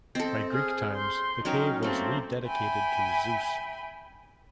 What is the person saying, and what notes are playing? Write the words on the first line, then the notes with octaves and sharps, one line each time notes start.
By Greek times the cave was rededicated to Zeus.
C4 A4 D#5
G#4 F6
C6 G6
F#3 C#4 D#4 A#4 G5
A3 A#3 C4 A4
E5 G5 G#5 B5